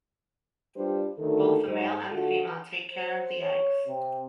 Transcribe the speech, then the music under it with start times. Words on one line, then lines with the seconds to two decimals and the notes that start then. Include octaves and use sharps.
Both the male and the female take care of the eggs.
0.77 G3 D4 F4 G4 B4 C5
1.18 D2 D#3 A4
1.66 G#2
2.10 D3 F4 F#4 A4
2.90 C5
3.41 C#5
3.87 C3